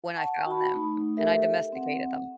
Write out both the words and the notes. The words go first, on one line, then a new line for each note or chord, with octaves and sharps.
when I found them and I domesticated them.
F#5 A5 C#6
F#4 B5
A3 D#4
G4 A4 A#4 E5
C4 F#5